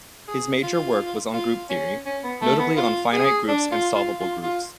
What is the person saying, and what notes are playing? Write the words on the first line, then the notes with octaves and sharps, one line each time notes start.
His major work was on group theory, notably on finite groups and solvable groups.
G#4
F4
F4
C#4
C#4
B3
A3
B3
F4
G#4
D4
F4
F4
F4
F4